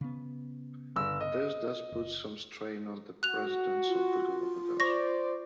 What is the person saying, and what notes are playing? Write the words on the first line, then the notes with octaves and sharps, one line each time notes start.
This does put some strain on the residents of the Galapagos.
C#3 B3
G1 E6
D#5
F#1
F#4 F#6 F7
F4
C5 D5 C#6 A#6